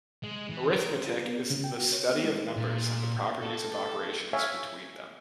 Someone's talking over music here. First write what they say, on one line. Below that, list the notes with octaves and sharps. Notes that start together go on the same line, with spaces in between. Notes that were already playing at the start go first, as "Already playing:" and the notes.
Arithmetic is the study of numbers and the properties of operations between them.
G#3
E3
A#4
F4
B3
C#3
G5
F#4
C#5
B3
G#3
A#2
A4
C#5 E5 F5 G#5